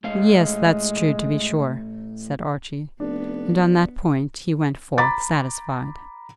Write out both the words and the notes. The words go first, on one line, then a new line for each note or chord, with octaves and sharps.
"Yes, that's true, to be sure," said Archie; and on that point he went forth satisfied.
A2 G#3 C#4 F5
F1 B3 D4
A#5 B5 D6 A6